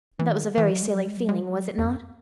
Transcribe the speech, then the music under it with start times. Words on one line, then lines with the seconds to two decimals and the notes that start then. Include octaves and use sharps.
That was a very silly feeling, was it not?
0.19 E3
0.32 D#3
0.58 E3
0.70 F#3
0.82 G#3
0.94 F#3
1.05 G#3
1.17 F#3
1.29 G#3
1.40 F#3
1.78 E2
1.85 F#2